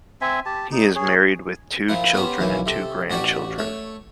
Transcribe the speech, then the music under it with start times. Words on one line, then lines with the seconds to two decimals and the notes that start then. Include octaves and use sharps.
He is married with two children and two grandchildren.
0.21 C4 E5 G#5
0.46 G4 A5
0.72 D#4
0.95 G#4 C#5
1.89 A#2 F3 E4 A#5
2.13 B3 C#4 G4 C5 A#5
2.39 B1 E3 A#3 C#4
2.66 C3 A4
3.10 A1 D4 F#4 G4 D5 C#6
3.58 A3 C#5